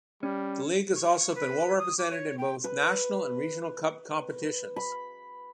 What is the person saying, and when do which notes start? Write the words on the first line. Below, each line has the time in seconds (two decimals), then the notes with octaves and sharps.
The league has also been well represented in both national and regional cup competitions.
0.23 G3 C#4
0.95 C#6
1.16 C#6
1.35 B4
1.78 D#6
1.98 D6
2.10 C#5
2.38 G5
2.64 B4
4.76 B5